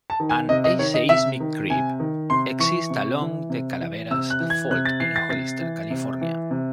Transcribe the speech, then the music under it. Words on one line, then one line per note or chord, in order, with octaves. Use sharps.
An aseismic creep exists along the Calaveras fault in Hollister, California.
A5
D#3
G#5
C3 D#5
D#5
D#3 C#5
D#5
C3 E5
D#3
C3 G#5
D#3
C3 C6
E3 C#6
C3
E3
C3
E3
C3 E6
F#6
E3
G#6
C3 F#6
A6
E3 C7
A6
C3 A6
E3
C3
E3
C3